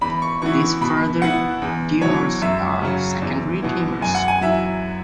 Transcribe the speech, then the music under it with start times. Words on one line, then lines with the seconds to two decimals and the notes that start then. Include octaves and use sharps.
These further tumors are secondary tumors.
0.01 E2 B5
0.22 C#6
0.42 E3 B3 E4 C#6
0.81 B2 B5
1.22 B3 E4 F#5
1.62 E2
2.02 B2 F#3 E4 C#5
2.42 F#2 E5
2.81 C#3 F#3 C#4
3.22 E2
3.62 B2 B3 E4
4.01 F#2 G#5
4.15 F#5
4.28 G#5
4.41 F#3 E4 E5